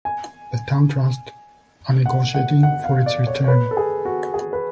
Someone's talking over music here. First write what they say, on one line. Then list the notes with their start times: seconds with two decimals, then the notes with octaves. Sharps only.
The Town Trust are negotiating for its return.
0.05 G#5
2.06 F#5
2.34 F#5
2.63 F#5
2.84 F5
3.06 D5
3.27 C#5
3.44 C#5
3.48 B4
3.71 A4
3.77 G#4
4.05 F#4
4.34 G#4
4.53 B4